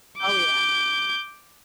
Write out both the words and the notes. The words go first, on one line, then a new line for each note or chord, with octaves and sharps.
Oh, yeah.
D6 G6